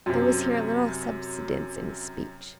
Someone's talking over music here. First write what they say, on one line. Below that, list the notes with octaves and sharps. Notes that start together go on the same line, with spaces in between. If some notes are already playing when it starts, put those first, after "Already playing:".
There was here a little subsidence in his speech.
F#2 C3